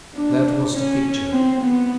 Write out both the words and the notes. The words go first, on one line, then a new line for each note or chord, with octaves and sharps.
That was the picture!
D4
C#4
C4
B3